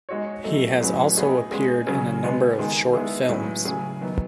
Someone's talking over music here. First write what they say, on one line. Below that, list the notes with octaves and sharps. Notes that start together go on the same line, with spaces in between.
He has also appeared in a number of short films.
G#3 D#4 F#4 C#5
F#3 A3 D#4 A4 D#5
A2 F#3 C#4 G#4 B4
B3 D#4 G#4 B4 D#5
G#3 C#4 G#4
C#3 F#3 C#4 G#4
G#3 B3 D#4
D#3 G#3 D#4 G#4
D#3 G#3 B3 E4 G#4
A2 F#3 C#4 G#4 B4
C#3 F#3 C#4 G#4
D#3 F#3 B3